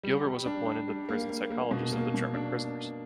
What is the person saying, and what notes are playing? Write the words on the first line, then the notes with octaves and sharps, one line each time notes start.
Gilbert was appointed the Prison Psychologist of the German prisoners.
G3
G3
D4
D4
G3
A#3
A#3
A#3
B2
A#3
B2
D4